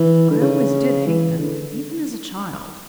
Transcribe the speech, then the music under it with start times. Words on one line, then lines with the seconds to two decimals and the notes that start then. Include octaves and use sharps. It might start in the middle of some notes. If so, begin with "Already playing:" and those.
I always did hate them, even as a child.
Already playing: E3
0.31 D3
0.42 C#3
1.07 E3
1.39 D3